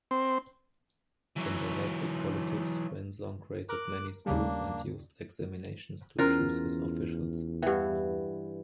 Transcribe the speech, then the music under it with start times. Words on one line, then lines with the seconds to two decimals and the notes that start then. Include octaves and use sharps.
In domestic politics, Renzong created many schools and used examinations to choose his officials.
0.11 C4
1.36 E3 F#3
3.69 A#4 D6 F#6
4.26 D#2 C#3 G3 A#3 D4
6.19 E2 C#4 E4 F4 A#4 C5
7.62 G2 E3 F#5 G5